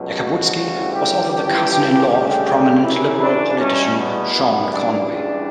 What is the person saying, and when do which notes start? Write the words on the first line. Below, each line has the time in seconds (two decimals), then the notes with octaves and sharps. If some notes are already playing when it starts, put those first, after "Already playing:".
Yakabuski was also the cousin-in-law of prominent Liberal politician Sean Conway.
Already playing: C#2 B2 F#3
0.16 F#4
0.54 D2 C#3 E3 G3
0.91 G4
1.29 C#2 C#3 E3 G3 G4
2.06 D2 C#3 G3 G4
2.82 F#2 C#3 E3 E4
3.19 D4
3.57 E2 B2 G3 C#4
3.96 B3
4.34 F#2 E3 G3
4.72 D4
5.10 C#2 C#3 E3 G3